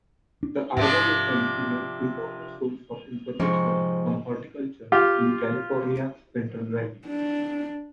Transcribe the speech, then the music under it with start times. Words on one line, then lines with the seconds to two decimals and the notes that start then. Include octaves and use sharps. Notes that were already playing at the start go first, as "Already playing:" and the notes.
The Arboretum is an important source of information on horticulture in California's Central Valley.
0.43 D4
0.77 G#2 C3 F3 D4
3.39 G#2 C3 F3 C#6
4.92 F4 G4
7.07 D4